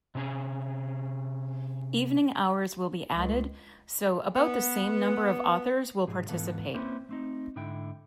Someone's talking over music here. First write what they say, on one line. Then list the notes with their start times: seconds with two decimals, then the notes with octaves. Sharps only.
Evening hours will be added so about the same number of authors will participate.
0.15 C3 C#4 G#4
3.14 C#2
4.36 B3
6.07 B1 G#2 F3 G#4
6.28 G#2 D#3 E3 B3 A4 F5
6.74 A#3 C4 C#4 E4 B4 C5
7.09 A3 C4 D#4
7.56 G#2 D3 E4 G5